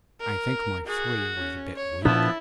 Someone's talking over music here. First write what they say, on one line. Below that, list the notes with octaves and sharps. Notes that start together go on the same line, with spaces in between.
I think my "three" was a bit weak.
A#4
F#4 G#4
C#4
C#5
A#2 F3 B3 D4 E4 A4